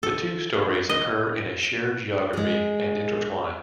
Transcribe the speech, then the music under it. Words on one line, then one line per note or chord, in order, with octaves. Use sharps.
The two stories occur in a shared geography and intertwine.
A4
D#5
G#3 G#4